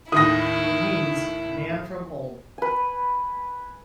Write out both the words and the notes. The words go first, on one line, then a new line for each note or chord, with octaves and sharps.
It means "man from Ulm".
D#2 A2 D#3 E4 D#6 A#6
B4 G#5